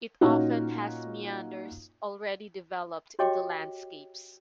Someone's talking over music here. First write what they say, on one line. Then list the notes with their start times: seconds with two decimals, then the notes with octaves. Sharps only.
It often has meanders already developed into landscapes.
0.21 A#2 C#4 D#4 F4 F#4
3.19 F#4 G4 C#5 D#5 G5 D6